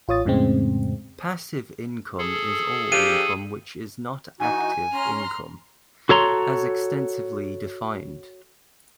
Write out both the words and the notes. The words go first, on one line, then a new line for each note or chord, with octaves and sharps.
Passive income is all income which is not active income, as extensively defined.
A1 F4 C#5 D#6 A6
F2 A2 C#3 G#3 C4
G#4 A4
F3 D4 G4 D#7
E3 D#4 F#4 G#5
C#4 A#5 C6 F6
F#4 A4 C#5 A#5 C6